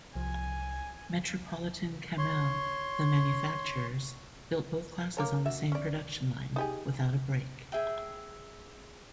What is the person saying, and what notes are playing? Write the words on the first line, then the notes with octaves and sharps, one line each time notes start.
Metropolitan-Cammell, the manufacturers, built both classes on the same production line, without a break.
C2 F3 G#5
C#5 C6
A#3 A#4 C#5
F#4 E5
C#4 D5
D#4 G4 G#4
G#4 E5 G5